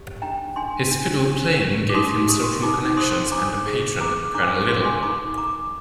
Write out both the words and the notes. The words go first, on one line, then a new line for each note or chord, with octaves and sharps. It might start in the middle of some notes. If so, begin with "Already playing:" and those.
His fiddle playing gave him social connections and a patron, Colonel Liddell.
Already playing: G4
D4 G5 A#5
D4 G#5 C6
D4
D4
G4
D6
D#4 C6 D#6
G4 C6 D#6
D#4 A#5 D6
C5 C6 D#6
D4 A#5 D6
G#4
G#4 A#5 D6
D4 A#5 D6
A#4 C6
D6
G#5 C6
D#4 A#5 D6
A#4 A#5 D6